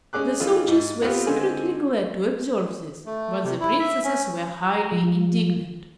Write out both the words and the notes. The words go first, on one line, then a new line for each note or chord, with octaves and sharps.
The soldiers were secretly glad to observe this, but the Princesses were highly indignant.
G#3 C#4 G#4 D6 F#6
E3 G#3 F4 G#4
G#2
B3 C4 F4 G4
D3 G#3 C4 G#5
A3
C3
E4
E5
C#4
A#5
F3